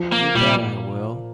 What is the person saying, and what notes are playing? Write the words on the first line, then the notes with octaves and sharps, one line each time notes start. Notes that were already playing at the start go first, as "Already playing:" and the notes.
You bet I will!
Already playing: F3
A#3
A#2 G3